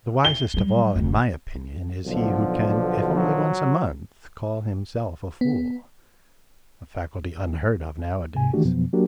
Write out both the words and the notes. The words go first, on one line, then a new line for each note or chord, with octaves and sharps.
The wisest of all, in my opinion, is he who can, if only once a month, call himself a fool--a faculty unheard of nowadays.
G7
F#3 G3
F1 D2
B1 D3 F3
F#3
B3
G#2 C3 G#5
D#3 E3 A3 D4 F#4 G4
F2 B2 F3 F#3 B3
F#3 A#3 D4 F#4 G4 A#4